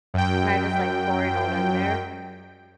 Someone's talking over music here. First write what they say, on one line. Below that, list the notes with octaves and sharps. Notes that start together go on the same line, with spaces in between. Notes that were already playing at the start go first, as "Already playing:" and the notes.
and I just, like, pour it all in there,
F#2 G5